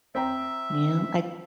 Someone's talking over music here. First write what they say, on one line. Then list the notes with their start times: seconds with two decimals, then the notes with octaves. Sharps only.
Yeah, I
0.15 C4 E5 G5 A#5